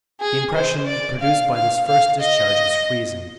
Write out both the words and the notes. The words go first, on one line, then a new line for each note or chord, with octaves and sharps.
The impression produced by this first discharge was freezing.
G#4
C5
D5
F5
F5
F5
D#5